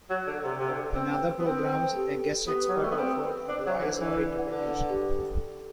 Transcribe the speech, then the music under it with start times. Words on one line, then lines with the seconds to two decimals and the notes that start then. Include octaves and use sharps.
In other programs, a guest expert offered advice or interpretation.
0.10 F#3
0.27 D3
0.44 C3
0.59 C3
0.69 D3
0.95 C4 B4
1.21 B4
1.38 B3
1.46 C4 C5
1.59 A4
1.71 B4
1.84 A4
1.96 G4
2.47 B3 G4
2.69 F#3
2.76 G3
2.83 A3
2.91 B3
2.98 C4 B4
3.49 D4 C5
3.66 F#3 C5
3.79 E3
3.83 D3 D4
4.01 E3 E4
4.13 B4
4.26 D5
4.39 F#5
4.51 D3
4.64 B4
4.90 G4
5.02 A4